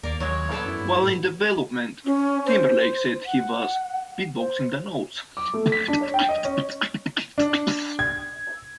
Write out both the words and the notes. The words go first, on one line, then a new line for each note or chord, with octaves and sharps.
While in development, Timberlake said he was "beatboxing the notes".
D#2 A#3 A#4 D5
D#2 F#3 G#3 C#5
B3 A4 D5
F#2 E4
G2
A2
C#4
C5
F#5
C5
D6
A3
B6
D4
C#5
G5
D#5
C#4
D4
G#6